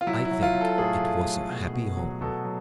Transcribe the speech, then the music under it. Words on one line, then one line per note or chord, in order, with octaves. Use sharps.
I think it was a happy home.
F4
F#3 E4
E4
F#3
F4
F#3
A4
A4
A2 G#4
A2
A2
B2
B2
F#3
B2 A4
F#3